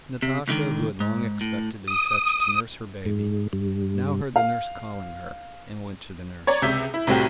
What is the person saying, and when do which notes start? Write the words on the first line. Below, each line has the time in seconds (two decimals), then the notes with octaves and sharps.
Natasha, who had long expected to be fetched to nurse her baby, now heard the nurse calling her and went to the nursery.
0.22 C3
0.48 C#2 A2 D3 D#3
1.00 G#2
1.41 A2
1.88 D#6
3.06 G#2
3.53 G2
4.36 F5
6.47 C#5 D5 A#5 C#6
6.62 C#2 C3 E5 G6
6.94 E4
7.07 C2 A2 C4 F#4 G4